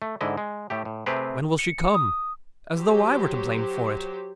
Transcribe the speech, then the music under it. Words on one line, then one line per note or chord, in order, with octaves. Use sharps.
When will she come?'--as though I were to blame for it.
A3
G#2 D3 E4 D#5
G#3
A2 A3 G4
A2
C3 A3 C4 G4 G#4 B4
C#7
D#6
F#3 G4 C5